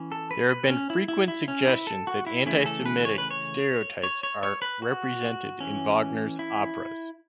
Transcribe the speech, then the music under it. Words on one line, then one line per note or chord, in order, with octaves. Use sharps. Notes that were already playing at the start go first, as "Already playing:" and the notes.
There have been frequent suggestions that antisemitic stereotypes are represented in Wagner's operas.
Already playing: E3 C#4
A4
B4
B4
C#4
E4
E4
E4
C#4
E4
A4
F#4
E4
C#3 E3 A3 C#4 E4
A4
B4
C#5
B4
C#5
C#5
C#5
C#5
B4
F#4
E3 C#4
E4